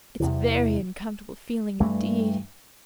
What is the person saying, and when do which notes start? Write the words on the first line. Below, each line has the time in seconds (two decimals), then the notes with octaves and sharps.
It's very uncomfortable feeling indeed.
0.20 E2 C3 E3
1.80 G2 E3 A3